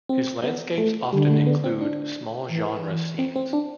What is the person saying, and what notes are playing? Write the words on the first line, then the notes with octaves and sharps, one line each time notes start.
His landscapes often include small genre scenes.
C4
B3
A3
D3 G3
A3
B3
C4
D4
E3
C4
C4
D4